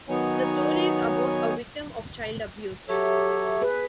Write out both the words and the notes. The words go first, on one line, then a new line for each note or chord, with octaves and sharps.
The story is about a victim of child abuse.
D#3 F#3 B3 D#4 C#5 G#5
F#3 G4 A4 C#5 E5
G#4 B4